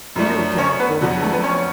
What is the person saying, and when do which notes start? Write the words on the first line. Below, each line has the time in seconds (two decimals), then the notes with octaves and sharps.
You can't fool me!
0.16 F#2 F3 A3 D4
0.58 C#4 C#5
0.79 B3 B4
1.01 F2 D3 F#3 B3 D4 F#4
1.11 G#4
1.22 A3 A4
1.32 B3 B4
1.43 C#4 C#5